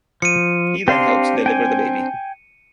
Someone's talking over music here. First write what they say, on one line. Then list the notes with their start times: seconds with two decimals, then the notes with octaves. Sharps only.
He then helps deliver the baby.
0.22 F3 C#7 D#7
0.88 C4 D4 G4 F5 C6
1.46 G5 G#5